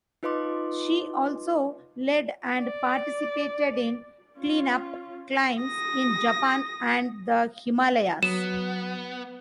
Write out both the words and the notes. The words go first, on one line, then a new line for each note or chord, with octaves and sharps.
She also led and participated in "clean-up" climbs in Japan and the Himalayas.
D#4 F4 B4 D#5 C6 D6
D5
C#4 F4
D#6 A#6
F#3 B3 D#6 E7